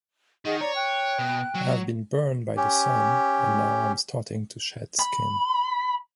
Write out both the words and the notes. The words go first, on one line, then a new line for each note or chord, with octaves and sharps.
I have been burned by the sun and now im starting to shed skin.
D#3 G#4 D#5 F#5
C#5 D5 A#5
G5 F#6
B2
F#3
C#4 G4
B5